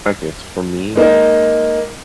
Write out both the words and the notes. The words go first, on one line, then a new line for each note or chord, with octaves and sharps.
Okay, so, for me,
G#3 A#3 D#4